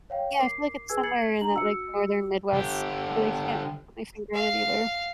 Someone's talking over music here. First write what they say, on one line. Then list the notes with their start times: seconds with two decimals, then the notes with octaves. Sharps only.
Yeah, I feel like it's somewhere in that, like, Northern Midwest, but I can't put my finger on it either.
0.10 C#5 F5 G5
0.40 A#4 D6 C7
0.89 G#4 B4 G#5 E6 G#6
1.04 G#6 A6 C7 C#7 F#7
1.41 D4 A#5 F#7
1.54 F#4 E6 C#7
2.53 D3 G4
4.34 F5